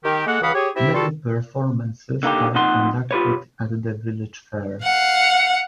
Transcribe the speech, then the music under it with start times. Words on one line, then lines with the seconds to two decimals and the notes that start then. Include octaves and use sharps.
Many performances are conducted at the village fair.
0.04 D#3 G4
0.27 G#3 A#3 A4 F#5
0.42 C#2 E3 F5 F#5 B5 D#6
0.54 G4 G#4 C#5
0.76 C4 E4 G4 E5
0.94 G3 F4 F#4 A4
2.23 D3 A#3 D#4 G4
2.55 F2 A#2 D#4 F#5 C6
3.11 F4 G4 B4 C#5
4.83 F5 F#5